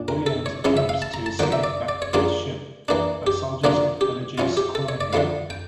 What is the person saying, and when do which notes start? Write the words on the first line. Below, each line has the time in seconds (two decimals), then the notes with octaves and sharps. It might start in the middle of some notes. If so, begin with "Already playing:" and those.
Williams attempts to escape back to his ship, but soldiers and villagers corner him.
Already playing: A#2 D4
0.08 A#4
0.26 A4
0.46 C#5
0.64 C#3 F3 C#4 E4
0.77 E5
0.89 F5
1.02 A5
1.14 A#5
1.26 A5
1.39 D3 F3 A#3 G5
1.52 E5
1.64 D5
1.89 D5
2.02 C#5
2.13 C#3 F3 A#3 D4 F4 G4
2.88 E3 A#3 D4
3.27 G4
3.64 D3 F3 A#3 D4 F4
4.01 G4
4.38 F3 C#4 E4 F4
4.57 G4
4.75 A4
4.89 C#5
5.01 D5
5.13 D3 F3 A3 E4 F5
5.50 G5